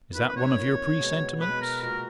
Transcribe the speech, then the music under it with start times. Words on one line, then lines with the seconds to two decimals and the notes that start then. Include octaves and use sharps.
"Is that one of your presentiments?"
0.14 F2 D#3 A#3 B4
0.28 B4
0.36 C#5
0.56 F2 D#3 A#3
0.99 B2 G#3 B3
1.40 B2 G#3 B3 B4
1.62 A#4
1.82 A#2 G#3 B3 F#4 A#4